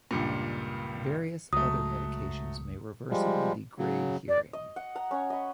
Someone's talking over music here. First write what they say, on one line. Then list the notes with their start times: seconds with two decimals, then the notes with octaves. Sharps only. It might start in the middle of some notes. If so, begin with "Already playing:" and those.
Various other medications may reversibly degrade hearing.
0.11 C#2 G2 A#2
1.53 C#2 F#3 A3 D#6
3.10 F3 G3 G#3
3.78 C#3 F#3
4.28 D5
4.53 D#5
4.76 F#5
4.95 F#5 A#5
5.11 C#4 C#5 F#5
5.30 D#5 B5